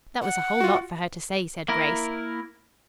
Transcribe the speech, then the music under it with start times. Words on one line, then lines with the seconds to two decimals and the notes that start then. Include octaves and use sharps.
"That was a whole lot for her to say," said Grace.
0.22 F#5
0.60 F4 F#4
1.68 A#3 E4 A#4